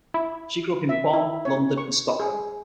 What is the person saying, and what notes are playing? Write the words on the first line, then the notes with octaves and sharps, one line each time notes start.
She grew up in Bonn, London and Stockholm.
E4
E5
E4
C#5
C#6
G#4